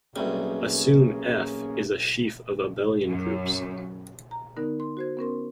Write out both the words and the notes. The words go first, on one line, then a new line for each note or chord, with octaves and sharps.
Assume "F" is a sheaf of abelian groups.
B1 C3 G3 A#3 C#4 G#4
F#2
A#5
D3 B3 D#4 A#4
C6
F#4 C5 G#6
B3 C#4 A#4 C6